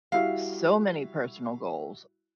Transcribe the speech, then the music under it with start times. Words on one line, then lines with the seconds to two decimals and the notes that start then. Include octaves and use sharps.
so many personal goals,
0.12 G3 E4 F#4 F5